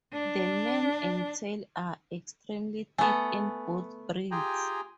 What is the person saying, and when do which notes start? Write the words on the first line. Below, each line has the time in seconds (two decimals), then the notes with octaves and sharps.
The mane and tail are extremely thick in both breeds.
0.13 D4
2.98 A3 B3 G#5
4.31 F4 G4 G#4 G5 G#5 A#5